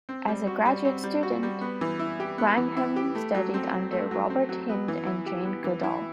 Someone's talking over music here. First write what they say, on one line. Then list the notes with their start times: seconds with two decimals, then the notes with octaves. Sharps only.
As a graduate student, Wrangham studied under Robert Hinde and Jane Goodall.
0.09 C4
0.28 G3
0.47 F#4
0.65 G3
0.85 C4
1.04 G3
1.23 F#4
1.43 G3
1.61 B3
1.81 E3
1.99 E4
2.20 G4
2.38 B3
2.57 E3
2.77 E4
2.96 G4
3.15 A3
3.35 F#3
3.54 C4
3.72 F#3
3.92 A3
4.11 F#3
4.30 C4
4.49 F#3
4.69 B3
4.88 E3
5.06 E4
5.26 G4
5.45 B3
5.64 E3
5.83 E4